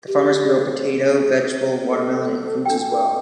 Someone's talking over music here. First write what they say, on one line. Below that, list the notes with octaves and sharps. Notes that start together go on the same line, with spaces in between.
The farmers grow potato, vegetable, water-melon and fruits, as well.
G4
A4
D4 G5